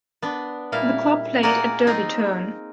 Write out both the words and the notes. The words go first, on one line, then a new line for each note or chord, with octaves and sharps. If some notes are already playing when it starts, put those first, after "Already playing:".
The club played at Derby Turn.
B3 D4
A#2 G3 E4 F5
A#3 G#4 A#4 D5 F#5 G#5
C4 D#4 F4 G#4